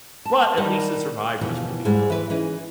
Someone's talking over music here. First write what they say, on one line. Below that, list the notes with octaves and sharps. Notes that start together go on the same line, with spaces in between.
but at least the survivors will be heard.
A5
D#3 G3 D#4 G4 A#4 D#5
D#2 B2 E3 F3
G#2 G3 G#3 G#4
E3 B4
E3 C#4 D#4 G#4